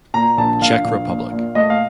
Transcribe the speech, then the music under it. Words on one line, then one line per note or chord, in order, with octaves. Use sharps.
Czech Republic.
A#2 A#5
A#1 A5
A#1 F5
A#1
A#2
A#2
A3 D#5
F5